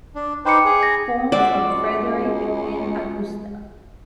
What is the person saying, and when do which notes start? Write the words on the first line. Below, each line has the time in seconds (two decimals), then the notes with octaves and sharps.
Formed from Frederick and Augusta.
0.15 D4
0.45 D#4 B4 C5 G5 D6 C#7
0.65 G#4
0.83 A#6
1.32 C#2 G#3 F#4 C5 D5 E5